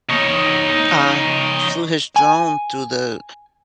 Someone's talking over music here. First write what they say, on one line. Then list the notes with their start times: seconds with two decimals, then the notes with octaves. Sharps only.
uh, flew his drone through the
0.10 D#4 C#5
2.16 G#5